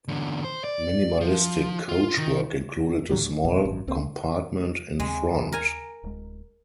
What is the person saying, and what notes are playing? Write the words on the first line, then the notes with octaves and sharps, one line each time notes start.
Minimalistic coachwork included a small compartment in front.
E2 D3
C5
D5
F3
F4
D#3
A2 D#3 F#3 G3
D2
A1 F2 B2
G#1 F#2
C#2 A#3 C4
D#2 C#3 G#3 C4
A#4 G#5 A#5
D1 G#3